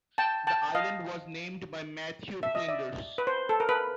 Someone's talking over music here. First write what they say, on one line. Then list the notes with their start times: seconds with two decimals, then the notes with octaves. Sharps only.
The island was named by Matthew Flinders.
0.18 G5 A5
0.47 G5 A5
0.75 D#5 F5
2.43 E5
2.55 D#5
2.68 D5 E5
3.18 B4
3.27 C5
3.49 A4
3.60 A#4
3.69 B4